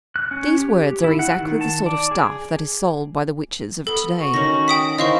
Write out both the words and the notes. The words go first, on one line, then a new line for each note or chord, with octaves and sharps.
These words are exactly the sort of stuff that is sold by the witches of to-day.
F#6
C#4
G4
E4
F#5
D#3
A5
D5
G#4
B3 A4
F#4
D#3 C#4 A#6
G5 D#6 B6
D#3 C#4 E4 C5 D#5 F5 C#6